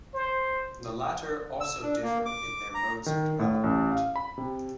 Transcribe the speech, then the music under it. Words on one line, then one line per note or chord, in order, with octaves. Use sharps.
The latter also differ in their modes of development.
C5
E6
D4
A#3
D6
A#5
D#3
A2
A1
F5
B5
C3